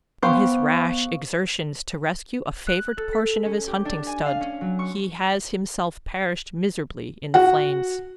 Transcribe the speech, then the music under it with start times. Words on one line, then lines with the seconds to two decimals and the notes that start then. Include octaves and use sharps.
"In his rash exertions to rescue a favorite portion of his hunting stud, he has himself perished miserably in the flames."
0.23 B3 G4 C5 F5 C#6
2.67 F#6
2.97 A4
3.13 B6
3.45 C#4
3.67 G4
3.85 D4
4.07 G#5
4.26 F5
4.41 C#4
4.61 F#3
4.79 C#6
7.34 F#4 F#5